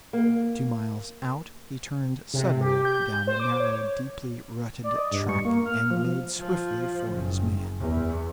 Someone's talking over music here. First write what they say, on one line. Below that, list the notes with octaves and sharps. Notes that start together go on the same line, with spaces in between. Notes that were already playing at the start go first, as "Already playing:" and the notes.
Two miles out he turned suddenly down a narrow, deeply rutted track, and made swiftly for his man.
A#3
C3
G4
G6
C5
D6
C#5
D5
D#5
G2
C#6
A#3
F6
F3
F3
F#1
E2